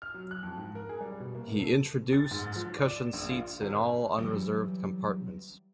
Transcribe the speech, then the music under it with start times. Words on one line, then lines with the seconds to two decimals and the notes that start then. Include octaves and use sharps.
He introduced cushion seats in all unreserved compartments.
0.02 F6
0.14 F#3
0.31 F#6
0.43 F2
0.57 G#2
0.75 A#4
0.89 G#4
1.01 G3
1.20 B2
1.35 A#3
1.48 E1
1.60 A4
2.13 A6
2.31 G#2
2.56 F3
2.78 D5
2.91 E7
3.13 A#1
3.29 F4
3.62 G#1
4.18 E3 F#3 G3